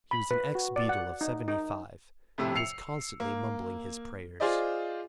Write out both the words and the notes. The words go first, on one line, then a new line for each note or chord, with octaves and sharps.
He was an ex-beadle of seventy-five, who was constantly mumbling his prayers.
B5
B4
F#4
D5
F#5
D#4
D#4
F2 A2 C3
E6 C7 C#7 F7
A#3
F4 G#4 C5 D5 D#5